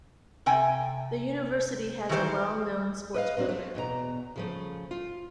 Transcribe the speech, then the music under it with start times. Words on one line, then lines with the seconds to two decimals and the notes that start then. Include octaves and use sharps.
The university has a well known sports program.
0.46 C3 G5 G#5
2.09 D#3 E3 F#4 G4 C5
3.14 B4 D#5 F5
3.37 A#2 C4 D4 F#4
3.49 A3 C4
3.75 E2 B2 G#4 A#5
4.36 C#3 F3 A3
4.91 F4